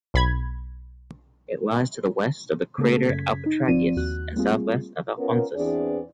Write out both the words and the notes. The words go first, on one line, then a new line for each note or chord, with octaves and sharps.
It lies to the west of the crater Alpetragius, and southwest of Alphonsus.
B1 B5 G#6
C#3 A3 A#3 G#4 A4
F#2 C#3 G#6 B6
D#4
G1 F3 C4 F4 D5 D#7
D#2 F#4 F#6
G3 A3 A#3 C4 F4 G#4
B3 C#4 F4 A#4
E2 E3 C4 D4 G#4 D5